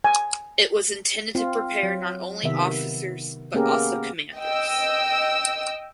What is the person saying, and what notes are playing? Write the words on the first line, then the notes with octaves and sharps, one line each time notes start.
It was intended to prepare not only officers but also commanders.
G#5
C4 F4
F#3
C3 D#3 B3 E5
A#3 B3 C#4 G4 G#4 A#4
D#5 G5 E6